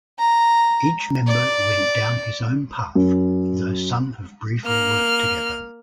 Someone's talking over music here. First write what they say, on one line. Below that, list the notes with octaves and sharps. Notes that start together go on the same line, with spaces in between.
Each member went down his own path, though some have briefly worked together.
A#5
D5
F#2
A#3 F6